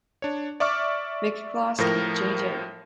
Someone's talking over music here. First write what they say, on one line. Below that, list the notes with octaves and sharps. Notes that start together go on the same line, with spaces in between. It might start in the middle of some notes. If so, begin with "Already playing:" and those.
McCloskey, J. J.
D4 C#5
D5 E5 C#6 D6 F6
A2 F3 A#4 A#6